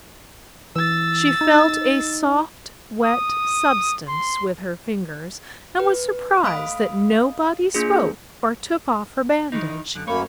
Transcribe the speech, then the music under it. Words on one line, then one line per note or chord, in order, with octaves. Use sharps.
She felt a soft wet substance with her fingers and was surprised that nobody spoke or took off her bandage.
E3 E6 A6
D#4
D#6
C6
B4
A3 F5 B5 D#6 D7
A#3 D4 F4 G#4
D#3 E3 D#4
F#2 D3 F#6
F#2 A3 A#3 C#5 B5